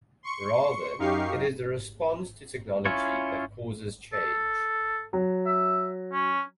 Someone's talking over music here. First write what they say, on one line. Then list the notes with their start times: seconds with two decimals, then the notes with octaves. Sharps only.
Rather, it is the "response" to technology that causes change.
0.23 C6 C#6 C#7
0.99 F#2 D#4 G4 F5 C#6 C7
2.85 C#4 E4 F4 C#5
4.13 A4
5.13 F#3
5.46 E5
6.13 C#4